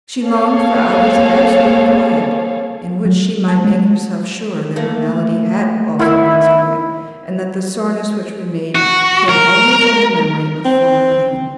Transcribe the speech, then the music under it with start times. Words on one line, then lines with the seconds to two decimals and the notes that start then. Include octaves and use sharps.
She longed for hours of absolute quiet, in which she might make herself sure that her malady had also passed away, and that the soreness which remained came only from the memory of former pain.
0.24 A#3 C4 G#4 A4 C#5 F5
3.05 F#3
3.48 A5
3.64 G#3
4.76 A3 A#3
5.99 D#3 B3 E4
8.75 F#4
9.29 A#4
10.65 C4